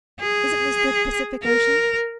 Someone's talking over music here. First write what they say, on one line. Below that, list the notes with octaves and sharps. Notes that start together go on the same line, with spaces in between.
"Isn't this the Pacific Ocean?"
G#4
A#4